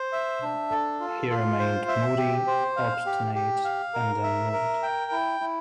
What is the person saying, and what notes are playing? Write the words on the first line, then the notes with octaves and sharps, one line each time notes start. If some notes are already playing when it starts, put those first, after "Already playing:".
He remained moody, obstinate, and unmoved.
Already playing: C5
E5
D4
A4
F4
F4
C5
E5
G4
C5
F5
G4
G4
F5
A#4
E5
A#4
G5
E4
E4